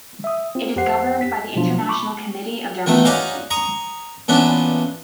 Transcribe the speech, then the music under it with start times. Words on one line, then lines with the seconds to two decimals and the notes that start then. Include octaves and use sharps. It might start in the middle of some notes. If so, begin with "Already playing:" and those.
It is governed by the International Committee of Dermatology.
0.24 E5 D#6
0.55 C4 F4
0.76 F2 G4 C5 F#5 C7
1.21 B6
1.55 B2 F3 F#3 D4 F4
1.88 B5 C#6 D6
2.86 D#3 E3 A3 B3
3.05 C#4 D#4 F#4 D5 F5
3.50 A#5 C#6 D#6
4.28 A#2 E3 B3 C#4 D4